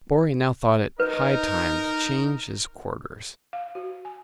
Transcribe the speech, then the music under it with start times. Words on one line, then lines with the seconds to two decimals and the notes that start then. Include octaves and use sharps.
Borri now thought it high time to change his quarters.
1.00 D#4 A#4 B4
3.53 F5
3.75 F#4
4.05 G#5